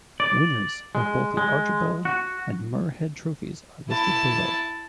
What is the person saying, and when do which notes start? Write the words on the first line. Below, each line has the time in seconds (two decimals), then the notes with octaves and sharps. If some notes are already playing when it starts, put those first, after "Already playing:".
Winners of both the Archibald and Muirhead trophies are listed below.
0.20 D5
0.95 G#3
1.37 G#3
2.05 F#4
3.90 E4 A5